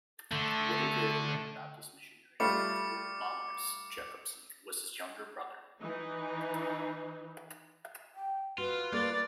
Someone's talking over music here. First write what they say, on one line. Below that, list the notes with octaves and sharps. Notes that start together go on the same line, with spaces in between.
Wood engraver and Baptist missionary Eduard Magnus Jakobson was his younger brother.
D3 A3
G3 A3 F4 D6 C#7
E3 D#4
G5
F4 F#4 B4
A#3 A4 D5